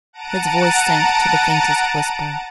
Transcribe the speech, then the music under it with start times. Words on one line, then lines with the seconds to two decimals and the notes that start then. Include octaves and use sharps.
His voice sank to the faintest whisper.
0.13 F#5 A5 A#5 D7 D#7